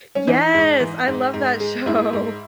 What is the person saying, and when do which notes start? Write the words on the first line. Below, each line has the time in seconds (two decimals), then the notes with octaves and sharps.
Yes! I love that show.
0.15 C#4
0.27 E3 D#4
0.54 G#2
0.80 E3
1.08 G#2
1.34 G#2
1.60 G#3
1.86 G#2 E4
2.13 G#2